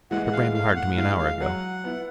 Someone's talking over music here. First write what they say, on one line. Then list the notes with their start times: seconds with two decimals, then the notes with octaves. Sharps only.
"Mr. Brand wired to me an hour ago."
0.11 E3 G#3 F#5
0.26 F#5
0.32 F5
0.54 A2 F5
0.76 F#5
0.97 E3 G#3 F5
1.19 F5
1.40 F#3 F#5
1.84 B3 E4